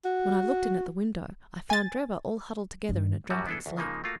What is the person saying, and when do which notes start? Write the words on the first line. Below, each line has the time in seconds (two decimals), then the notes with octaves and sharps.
When I looked in at the window, I found Drebber all huddled together in a drunken sleep.
0.05 F#4
1.70 G#5 A6
2.89 G2
3.30 F#2 A2 F#3 G3 F#4
3.46 B3 D4 E4 G#4 A4
3.66 D2
3.77 C#3 F3 G#3 A#3 D#4
4.04 A3 A#3 F4 F#4